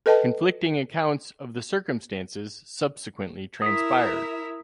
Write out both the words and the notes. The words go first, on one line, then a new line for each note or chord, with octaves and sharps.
Conflicting accounts of the circumstances subsequently transpired.
A4 B4 D#5 G5 A5
E4 A#4 E5 D#6 B6